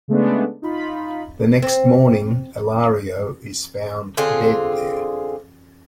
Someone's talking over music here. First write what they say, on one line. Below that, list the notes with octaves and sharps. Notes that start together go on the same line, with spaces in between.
The next morning Ilario is found dead there.
C#3 G#3 A3 B3 D4
D#4 F4 B5
C4
D3 C4 F4 G#4